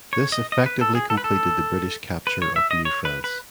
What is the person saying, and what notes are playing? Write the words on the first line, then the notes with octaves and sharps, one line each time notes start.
This effectively completed the British capture of New France.
C#5
D#5
D#5
B4
A4
G#4
A4
B4
A4
B4
C#5
E5
D#5
C#5
B4
B4